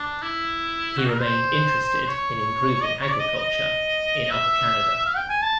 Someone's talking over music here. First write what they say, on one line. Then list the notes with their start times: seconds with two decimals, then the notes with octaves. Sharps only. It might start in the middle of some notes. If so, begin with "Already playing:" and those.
He remained interested in improving agriculture in Upper Canada.
Already playing: D4
0.22 E4
0.98 F#4
1.10 A#4
1.21 C5
2.08 C#5
2.83 D#5
3.01 C#5
3.11 D5
3.20 D#5
3.38 D#5
4.31 E5
5.06 F5
5.17 G5
5.29 G#5
5.42 A5